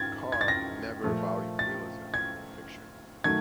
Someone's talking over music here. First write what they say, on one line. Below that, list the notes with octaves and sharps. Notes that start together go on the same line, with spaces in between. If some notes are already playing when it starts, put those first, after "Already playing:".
Carr never valued realism in fiction.
Already playing: G#2 G#6 A6
G#6
A6
A#6
A#2 F3 A3
A6
G#6
D#3 F#3 A3 G#6